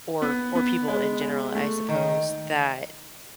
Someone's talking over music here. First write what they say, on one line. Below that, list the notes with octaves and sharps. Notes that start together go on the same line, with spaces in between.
or or people in general, I suppose, that
B3
B3
G#3
G#3
A3
D#3